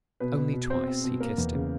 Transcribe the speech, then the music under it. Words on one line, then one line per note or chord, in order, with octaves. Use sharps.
Only twice he kissed him.
B2 B4
B2
B2
C4 C5
C4
B2
A#3 A#4
E2
C#3